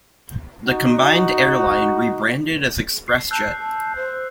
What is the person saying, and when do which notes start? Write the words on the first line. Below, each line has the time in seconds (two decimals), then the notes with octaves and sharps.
The combined airline rebranded as ExpressJet.
0.67 D#4 F#4
3.08 C7
3.31 A5 E6 F#6 G6
3.59 A5
3.96 C5